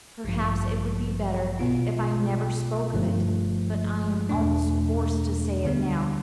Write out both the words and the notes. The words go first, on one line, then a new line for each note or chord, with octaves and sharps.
Perhaps it would be better if I never spoke of it; but I am almost forced to say it now.
A1 G2 F3
B1 B2 B3 F4
G1 G2 F3 A3
E2 B2 A3 D4
D2 D3 G3 B3